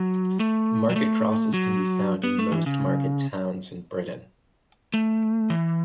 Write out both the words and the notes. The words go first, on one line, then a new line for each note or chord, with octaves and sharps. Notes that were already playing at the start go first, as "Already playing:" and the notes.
Market crosses can be found in most market towns in Britain.
Already playing: F#3
A3
F#3
A3
F#3
B3
A3
E3
C#3
A3
E3